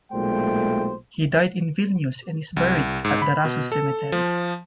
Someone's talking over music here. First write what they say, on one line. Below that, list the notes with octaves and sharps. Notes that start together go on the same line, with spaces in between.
He died in Vilnius and is buried at the Rasos Cemetery.
B1 A#2 G#3 A3 C5 G5
C2
G#2
B5
B2
A4
F3